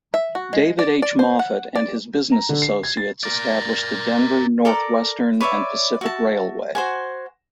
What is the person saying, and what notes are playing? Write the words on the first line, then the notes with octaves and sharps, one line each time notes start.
David H. Moffat and his business associates established the Denver, Northwestern and Pacific Railway.
E5
F#4
G#3
D5
D5
C5
F#5
D5
A#5
D3
C7
G#6
A6
A#4 D5
A4 A#4 D5 A#5
B4 C#5 D5 E5
F#4 E5 A5
F#4 C5 F#5 G#5